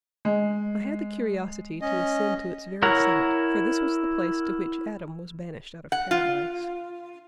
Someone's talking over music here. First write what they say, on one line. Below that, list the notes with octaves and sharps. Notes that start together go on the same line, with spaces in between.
I had the curiosity to ascend to its very summit, for this was the place to which Adam was banished out of Paradise.
G#3
C#4 D#5
E4 A#4 C#5 F#5 A#5
F#5
F4